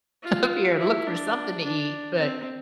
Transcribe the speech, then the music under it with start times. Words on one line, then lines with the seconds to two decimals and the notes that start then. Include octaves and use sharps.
up here and look for something to eat, but,
0.23 F4
0.79 E4
1.07 D4
1.63 D4
2.19 C4